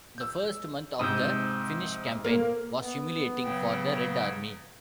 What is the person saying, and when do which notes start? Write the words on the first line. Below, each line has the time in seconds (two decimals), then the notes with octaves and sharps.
The first month of the Finnish campaign was humiliating for the Red Army.
0.18 E6 G6
1.00 G#2 C3 D#6 E6 G6
2.24 A#3
2.81 B3
3.42 C#3 F#3 G5